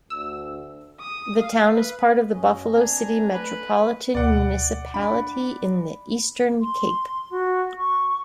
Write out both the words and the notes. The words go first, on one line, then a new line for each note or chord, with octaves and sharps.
The town is part of the Buffalo City Metropolitan Municipality in the Eastern Cape.
D2 E6
D#6
F5
B4
F#2 C#4 D#5
C4 D4 G#5 A#5
A3 B4
D2 B2 D5 F#5
D4 B5
C6
F#4
C#6